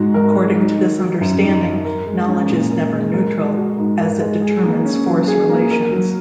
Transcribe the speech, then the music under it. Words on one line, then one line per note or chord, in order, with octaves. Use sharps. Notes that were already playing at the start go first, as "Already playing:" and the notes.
According to this understanding, knowledge is never neutral, as it determines force relations.
Already playing: G#2 G#3 F#4
A#4
G#3
D#4
D#3
F#3
F#2
D#4
D#3
A#4
G#3
C#4
A#2
A#4
G#3
A#4
G#3
F#4
G#2
A#4
G#3
G#4
A#3
C#4
F#3
G#4
A#3
A#4
F#3